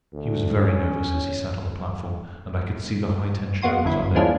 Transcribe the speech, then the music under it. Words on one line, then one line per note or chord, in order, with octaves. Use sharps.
He was very nervous as he sat on the platform, and I could see the high tension he was under.
D2
C#4
G#3 A#3 B3 F#4 C6 D#7
G1 F#2 E4
E3 F3 G#3 A#3 C#4 D4